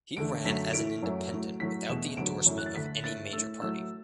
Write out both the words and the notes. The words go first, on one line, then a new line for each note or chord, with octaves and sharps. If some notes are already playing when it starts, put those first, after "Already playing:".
He ran as an independent without the endorsement of any major party.
E2 D3 A3 D7
F#2 D3 F#3 A3 B6
A2 E3 A3 D7
F#2 F#3 A3
A2 F#3 A3
A2 F#3 A3 B6
E2 B2 A3 E7
D2 D3 F#3 D7
F#2 E3 A3
F#6
A6
D2 D3 A3 B6
A2 A3 A6
A2 A3 E6
A2 F#3 A3 E6